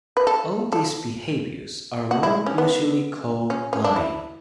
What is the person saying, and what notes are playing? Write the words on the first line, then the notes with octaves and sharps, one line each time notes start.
All these behaviors are more usually called lying.
B4
A4
A4
F#4
E4
C#4
B3
C#4
C#4
D4
E4